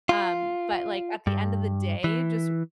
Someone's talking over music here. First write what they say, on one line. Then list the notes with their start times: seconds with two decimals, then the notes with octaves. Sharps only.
Um, but, like, at the end of the day, just,
0.09 F4
1.27 G2
2.04 E3